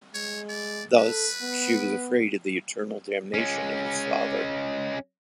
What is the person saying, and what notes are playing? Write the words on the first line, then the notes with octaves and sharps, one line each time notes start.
Thus, she was afraid of the eternal damnation of his father.
G#3 C#5
D5
A4 B4
B3
G#3 C#4